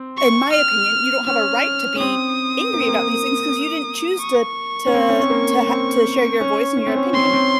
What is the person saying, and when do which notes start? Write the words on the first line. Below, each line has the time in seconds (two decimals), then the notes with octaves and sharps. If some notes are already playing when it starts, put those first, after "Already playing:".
in my opinion, you don't have a right to be angry about these things, 'cause you didn't choose to to to ha to share your voice and your opinion.
Already playing: C4
0.17 C#6
0.52 F6
1.26 C#4 F6
1.95 C#4
1.99 C4 D#6
2.73 A#3
2.81 C4
2.88 A#3
4.20 C#6
4.87 C#4
4.94 C4
5.09 C#4
5.20 C4
5.30 A#3
5.67 C4
6.40 C#4
6.77 C#4
6.87 C4
6.96 C#4
7.13 C4 C6
7.24 C#4
7.33 C4